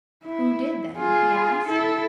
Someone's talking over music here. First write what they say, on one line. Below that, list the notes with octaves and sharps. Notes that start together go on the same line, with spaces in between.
"Who did, then?" he asked.
E4
F4 G#4
E4 A4